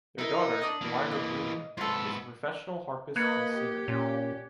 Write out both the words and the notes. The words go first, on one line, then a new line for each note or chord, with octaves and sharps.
Their daughter, Moira Breen, is a professional harpist and singer.
D#4 E4 A#4
D4 D5 D#6
E3 A#3
D#5
G#2 F4 A4 B4
A#3 B4 D#5 F#6 G#6 C#7
G4
A#2 C#4